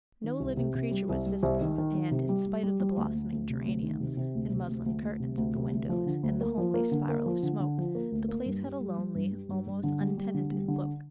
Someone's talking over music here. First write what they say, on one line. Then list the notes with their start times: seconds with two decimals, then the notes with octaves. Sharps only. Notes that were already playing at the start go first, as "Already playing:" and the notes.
No living creature was visible and, in spite of the blossoming geraniums and muslin curtains at the windows and the homely spiral of smoke, the place had a lonely, almost untenanted, look.
0.24 D#3
0.40 C2
0.57 C3
0.75 C3
0.91 G3
1.09 C2
1.26 G3
1.43 C2
1.61 D#3
1.78 D#3
1.95 D#3
2.11 C3
2.29 G3
2.47 G3
2.63 G3
2.80 G3
2.97 D2
3.15 D2
3.32 D2
3.50 C3
3.66 D2
3.83 D#3
4.00 C3
4.17 C3
4.35 D2
4.52 C3
4.69 D2
4.86 D2
5.03 D2
5.20 C3
5.37 D2
5.55 C3
5.72 D2
5.89 F3
6.06 D3
6.23 D2
6.41 A#3
6.58 F3
6.74 A#3
6.92 D3
7.09 A#3
7.26 F3
7.43 D3
7.60 D3
7.78 F3
7.95 A#3
8.12 D2
8.28 A#3
8.46 G2
8.63 G3
8.81 G3
8.98 G3
9.15 G2
9.31 G3
9.49 G2
9.66 G2
9.83 D3
10.01 G3
10.17 G3
10.34 D3
10.51 G3
10.68 D3